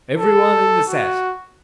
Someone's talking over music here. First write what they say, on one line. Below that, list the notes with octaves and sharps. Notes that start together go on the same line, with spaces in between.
Everyone in the set!
A4
F#4